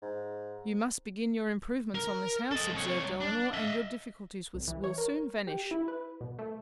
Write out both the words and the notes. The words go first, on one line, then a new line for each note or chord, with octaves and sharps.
"You must begin your improvements on this house," observed Elinor, "and your difficulties will soon vanish."
G#2
A#4
A4 D#5
C2 C#5
D4
D#5 E5
C2
E3
C#5
A#4
G4
E4
B4
B2
A3